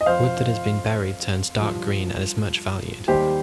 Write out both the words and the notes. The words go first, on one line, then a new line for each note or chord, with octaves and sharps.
Wood that has been buried turns dark green and is much valued.
D#5
F2 F3 C5 F5
G2 F3
D#2 D#3 G3 G4 C5